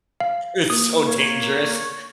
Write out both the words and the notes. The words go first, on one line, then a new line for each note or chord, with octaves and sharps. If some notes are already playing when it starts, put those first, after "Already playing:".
It's so dangerous.
F5
A#3 D#6
C#5